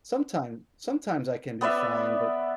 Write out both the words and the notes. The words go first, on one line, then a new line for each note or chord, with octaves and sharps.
Sometime sometimes I can be fine but,
B3 B4 D5 E5